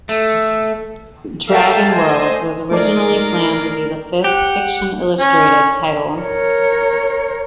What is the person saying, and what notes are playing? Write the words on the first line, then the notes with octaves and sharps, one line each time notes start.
"Dragonworld" was originally planned to be the fifth "Fiction Illustrated" title.
A3
A4 A#4 E5 F5 G5 A5
A3 C5 D#5 G#5
A3 D#4 F4 G#4 A#4 D5 D6
G4 F#5
C#4
A#4 C#5